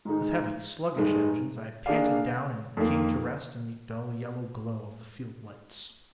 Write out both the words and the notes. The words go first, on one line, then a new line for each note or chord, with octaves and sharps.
With heavy, sluggish engines I panted down and came to rest in the dull yellow glow of the field lights.
G#2 D#3 G#3 D#4
G2 D#3 G#3 D#4
A#3 D4 G#4 D5 F5
F2 D#3 A#3